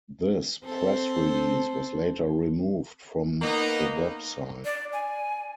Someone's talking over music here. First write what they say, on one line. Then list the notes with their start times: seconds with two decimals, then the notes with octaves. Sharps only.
This press release was later removed from the website.
0.65 C4 A4 C5
3.42 A#3 B3 D#4
4.65 D5
4.93 G#5